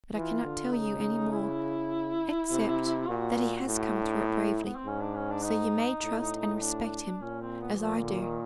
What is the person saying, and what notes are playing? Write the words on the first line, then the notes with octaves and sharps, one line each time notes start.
But I cannot tell you any more--except that he has come through it bravely; so you may trust and respect him, as I do.'
E3 F4
D3
C#3 D#4
E4
C3
A#2 F#4
A2
D4
D#4
E4
B3
C4
G#2 C#4
D4
C#4
D4
D#4
A2
D4
A#2 C#4
C4
B3
E3
A#2 F3
D3
D#3